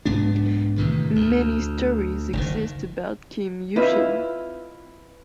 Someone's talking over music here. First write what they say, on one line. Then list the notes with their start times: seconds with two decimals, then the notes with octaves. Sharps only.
Many stories exist about Kim Yushin.
0.05 B1 G#2 B3 D4
0.77 A2 C3 D#3 E3
1.16 D2
2.33 F#1 A#2 D#3
3.76 C4 E4 F4 B4 D#5 F6